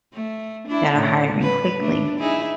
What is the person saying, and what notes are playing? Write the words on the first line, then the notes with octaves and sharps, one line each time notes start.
that are hiring quickly.
A3
D4 E4
A2 C#3
B4
A3 D4
D#4 E4 G#4